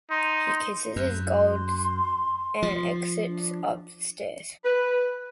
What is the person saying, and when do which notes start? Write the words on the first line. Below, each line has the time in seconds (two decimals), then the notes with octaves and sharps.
He kisses his gold and exits up the stairs.
0.11 D#4 C6
0.96 F#2
1.35 C6
2.62 F3
3.28 D4
4.64 B4